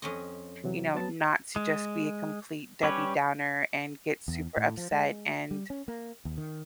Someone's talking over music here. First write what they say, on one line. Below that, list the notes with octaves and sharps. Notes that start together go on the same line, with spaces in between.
you know, not to just be a complete Debbie Downer and get super upset and,
F2 C#4 D#5
C3 E3 F#3
F#3 B3 A5
G#3
G3 C#4 G4 B4 C#5
E2
A2
F3
G#3
G3
C#4
A#3
D#2
D#3